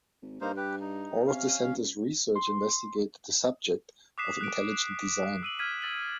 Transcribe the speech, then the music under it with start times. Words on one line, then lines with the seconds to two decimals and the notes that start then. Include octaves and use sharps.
All of the center's research investigated the subject of intelligent design.
0.22 G#1
0.41 G2 A#3 D#4 C5
0.57 G4 B4
0.81 D#4
1.27 C3 C#4 F5
1.61 C#2
2.35 C6
4.18 D6 D#6 F#6 B6 C7 E7
4.41 F#6 D7
5.43 E6 D#7 F#7
5.59 F6 G#6 B6 D#7
5.82 E6 A6 F#7